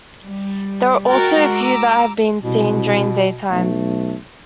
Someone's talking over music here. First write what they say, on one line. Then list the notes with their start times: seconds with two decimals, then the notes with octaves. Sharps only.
There are also a few that have been seen during daytime.
0.25 G3
1.09 G#3 F#4 A#4 G5 A6
1.51 A#5 D6 E6
2.44 C2 B2
3.50 B1 A3